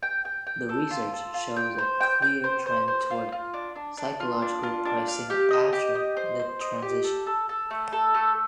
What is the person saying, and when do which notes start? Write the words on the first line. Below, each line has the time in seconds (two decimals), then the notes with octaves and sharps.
The research showed a clear trend towards psychological pricing after the transition.
0.03 G5
0.25 G5
0.47 G5
0.69 A4
0.91 F4
1.13 A4
1.34 F4
1.56 G5
1.78 C5
2.01 G5
2.22 G5
2.44 C5
2.66 C5
2.88 C5
3.11 F4
3.32 F4
3.54 D4
3.76 D4
3.97 D4
4.20 F4
4.42 D4
4.63 F4
4.85 D4
5.08 F5
5.30 G4
5.51 D#5
5.73 G4
5.95 D#5
6.17 C5
6.39 C5
6.61 D#5
6.82 G4
7.04 A4
7.27 A4
7.49 A4
7.71 A3
7.92 A4
8.14 A3